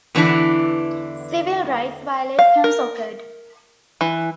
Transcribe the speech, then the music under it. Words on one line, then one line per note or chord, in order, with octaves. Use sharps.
Civil rights violations occurred.
E2 D3 E3 D4 E4
F5
A#4
E3